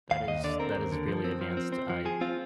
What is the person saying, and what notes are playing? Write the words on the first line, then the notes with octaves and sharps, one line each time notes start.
That is that is really advanced I
D#2 F5
D#2 D#5
D3 D5
C4 A#4
D#2
D3
F3
C4
F3
C4
C4
F3
F3 G#4
C4 F4